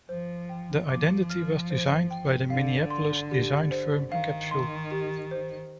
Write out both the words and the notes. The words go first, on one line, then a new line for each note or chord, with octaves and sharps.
The identity was designed by the Minneapolis design firm Capsule.
F3 C5
G5
F3 D6
F6
C5
G5
D3 F5
C6
G4
C5
D#3 F5
C6
G4
C5